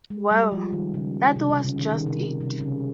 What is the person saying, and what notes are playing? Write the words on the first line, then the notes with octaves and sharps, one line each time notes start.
Well, that was just it!
G#3
G3
F3
D#3
C#3
C3
C3
C#3
D#3
D#3
C3
C3
C#3